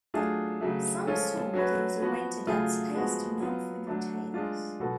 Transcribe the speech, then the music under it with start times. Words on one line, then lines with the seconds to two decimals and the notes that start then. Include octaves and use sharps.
Some stores also rented out space to non food retailers.
0.14 F#3 A3 D4 F4 G#4
0.61 C#3 F#3 A3
1.07 F3 G#3 C#4 F4 A4
1.54 F#3 C#4 F#4 B4
2.00 F3 B3 F#4
2.47 C#3 F#3 A3 F4 G#4
2.94 F3 G#3 B3 F#4
3.40 F#3 B3 F4
3.87 D3 F#3 A3 D4
4.34 G#3 D4 F4
4.80 B2 F#3 B3 F#4 A4